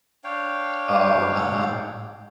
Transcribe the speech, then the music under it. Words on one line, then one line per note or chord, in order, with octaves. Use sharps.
Oh, uh-huh.
D4 C#5 F5 G5